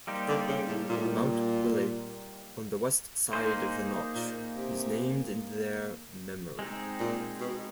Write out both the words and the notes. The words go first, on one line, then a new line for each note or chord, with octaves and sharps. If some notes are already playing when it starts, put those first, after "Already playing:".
Mount Willey, on the west side of the notch, is named in their memory.
G3 A#3 D#4 G4 C5
D3
C#3
A2
A#2
A2
A#2
A#3 D#4 G#4 C5
A#2
C3
G#3 C4 D#4
A#2
B2